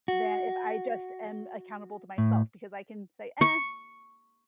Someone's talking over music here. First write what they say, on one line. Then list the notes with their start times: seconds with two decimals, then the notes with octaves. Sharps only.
than if I just am accountable to myself because I can say, "Eh,
0.08 F#4
2.18 A2
3.41 C#6